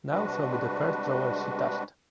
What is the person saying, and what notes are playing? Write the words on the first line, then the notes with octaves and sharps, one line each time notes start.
Now show me the first drawer she touched.
C3 G3 G#3 D4 F#4 B4